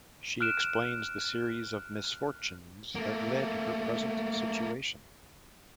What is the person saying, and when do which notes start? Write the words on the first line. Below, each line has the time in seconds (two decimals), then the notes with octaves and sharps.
She explains the series of misfortunes that led her present situation.
0.41 F6 F#6 D7 E7
2.95 A3 A#3